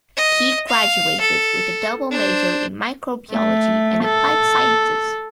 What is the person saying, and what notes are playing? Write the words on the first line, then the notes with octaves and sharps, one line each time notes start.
He graduated with a double major in microbiology and applied sciences.
D#5
F5
A4
D4 C5
A3
A4